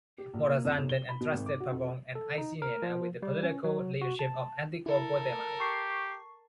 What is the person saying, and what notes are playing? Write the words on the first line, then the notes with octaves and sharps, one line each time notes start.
Morazan then entrusted Pavon and Aycinena with the political leadership of Antigua Guatemala.
G4
A#1
A#3
F2
B1
G7
B5
B2
G#1
D6
F#4
F2
A4
D#4
A#4
F3
G3
C#4
F#3
F#4
A5
E4 A4 A#4
G4 C#6 C7